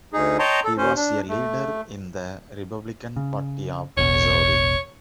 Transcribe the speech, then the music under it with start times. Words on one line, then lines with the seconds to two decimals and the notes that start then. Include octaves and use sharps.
He was a leader in the Republican Party of Missouri.
0.13 D2 D#4 G#4
0.39 C#5 D#5 G5 A5 A#5 C6
0.65 A4
0.78 D#2 C#4 C5
0.96 D4
1.29 A3
3.16 C#3
3.97 E1 A1 B2 C#5